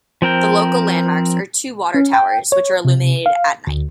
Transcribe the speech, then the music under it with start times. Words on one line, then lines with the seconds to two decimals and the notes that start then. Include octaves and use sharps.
The local landmarks are two water towers, which are illuminated at night.
0.22 F3 C4 A#4 G5
1.94 C#4
2.13 G5
2.52 C#5
2.85 C3
3.26 F5
3.67 D2